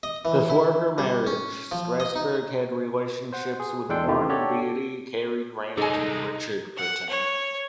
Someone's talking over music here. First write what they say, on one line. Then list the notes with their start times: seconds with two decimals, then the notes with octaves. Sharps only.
Before her marriage, Strasberg had relationships with Warren Beatty, Cary Grant, and Richard Burton.
0.03 D#5
0.25 E3
0.50 E4
0.98 G3
1.27 C#4
1.72 F3
2.00 D#5
2.16 D#4
3.33 C5 F#5
3.60 G#4
3.89 E2 G#3 D4 A4 G5 C6
4.07 D#3 E3 A3 D#4 F4 G4
4.29 D4 F#4 G4 A4 C#5 D5
5.78 C2 G#3 D#4 G#4 A4 G#5
6.77 F#5
7.09 C#5